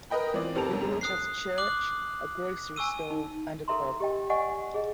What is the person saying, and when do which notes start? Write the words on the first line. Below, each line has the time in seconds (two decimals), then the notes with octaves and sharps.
The village has a church, a grocery store and a pub.
0.10 A#4 B4 D#5 G5 B5
0.34 E3 C4 F4 D5
0.55 F1 C4 G4 A#4 A5 F7
0.71 G1 F#2
1.01 D#6 F#6 C7
1.58 D6 D#6 F#6 F#7
2.76 G#5 C#6 E6 D#7
3.10 D#4
3.68 A4 A#4 E5 A#5 C6
4.00 G4 D#5 G5
4.30 D5 D#5 F#5 G#5 C#6
4.74 G#4 D#5